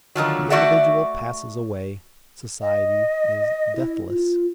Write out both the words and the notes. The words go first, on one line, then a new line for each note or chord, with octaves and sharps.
The individual passes away, society is deathless.
D3 D#3 F3 F#3
A3 F#4 D5 E5 F#5
D#5
E4
F4